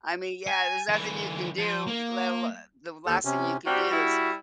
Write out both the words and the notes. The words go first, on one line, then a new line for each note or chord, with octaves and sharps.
I mean, yeah, there's nothing you can do, let alo the last thing you could do is
G#5
D3 E3
F3
A#3
D#2 A4
C3 C#4
C3 G3 F#4
G3 E4